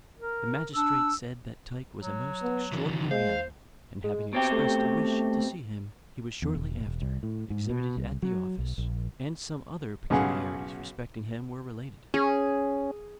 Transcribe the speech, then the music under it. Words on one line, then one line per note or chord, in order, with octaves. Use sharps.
The magistrate said that Tyke was a most extraordinary animal; and having expressed a wish to see him, he was shortly after exhibited at the office, and some other peculiarities respecting him were related.
A#4
D4 E6
F#3
B3
F#2 C#3 E3
G#3 C5 F5
G#3
B2 C4 G4 D6
A3
E2
E1
E1
C2
A2
G#2
B2
C2
F#3
B1
A#1
B1 C#3 G#4 F#5
C#4 G#4